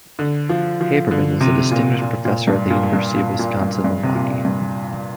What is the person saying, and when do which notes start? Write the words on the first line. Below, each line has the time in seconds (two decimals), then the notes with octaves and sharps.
Haberman was a Distinguished Professor at the University of Wisconsin-Milwaukee.
0.19 D3
0.49 F3
0.81 F3
1.11 D3
1.41 C3
1.71 A#2
2.02 A#2
2.25 A#2
2.47 G2
2.70 A#2
2.93 G2
3.16 A#2
3.39 A#2
3.62 G2
3.84 G2
4.03 C3
4.15 A#2
4.45 G2